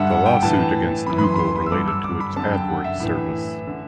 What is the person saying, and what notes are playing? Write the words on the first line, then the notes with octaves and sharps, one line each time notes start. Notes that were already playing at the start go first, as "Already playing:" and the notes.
The lawsuit against Google related to its AdWords service.
Already playing: G2 D3 E5 F#5
F#5
G5
A2 E3 A5
F#2 E3 B5
B5
C6
B5
C6
B5
E6
G2 D3 D6
E6
D6
B5
F#2 D3 A5
G5
F#5
E5
A2 E3
D3